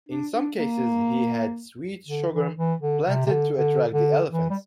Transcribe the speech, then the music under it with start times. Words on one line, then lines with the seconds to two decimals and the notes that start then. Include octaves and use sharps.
In some cases he had sweet sorghum planted to attract the elephants.
0.09 D4
0.33 D4
0.58 A#3
2.08 D3
2.32 E3
2.56 E3
2.82 D3
3.07 C3
3.26 C3
3.31 D3
3.56 D3
3.93 D3
4.31 E3
4.50 G3